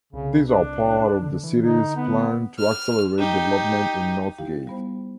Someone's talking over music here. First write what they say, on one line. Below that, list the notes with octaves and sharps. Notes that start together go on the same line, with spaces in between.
These are part of the city's plan to accelerate development in Northgate.
C2 C#3
D4
D3
E3
D3 D#4
B3
F6
D#4 G4
D#4 E4 G4 F5 G5
G3 B3 C5